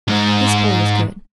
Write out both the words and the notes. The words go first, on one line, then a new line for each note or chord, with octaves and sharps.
"This boy is good."
G#2 G#3